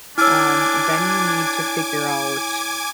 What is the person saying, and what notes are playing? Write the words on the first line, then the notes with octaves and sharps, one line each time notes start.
um, then you need to figure out
D4 E4 C#5 G#5 D6 E6 F6 G#6